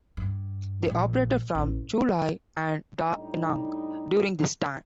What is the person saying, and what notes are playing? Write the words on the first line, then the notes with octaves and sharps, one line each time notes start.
They operated from Chu Lai and Da Nang during this time.
G2
A#1
A1
A2 G3 D4 D#4